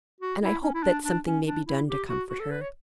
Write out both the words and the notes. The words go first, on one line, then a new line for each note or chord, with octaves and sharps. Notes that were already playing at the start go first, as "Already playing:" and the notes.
And I hope that something may be done to comfort her.
F#4
E4
C#4
E4
D4
D4
C#4
D4
E4
G4
F#4
F#4
A4
B4
C#5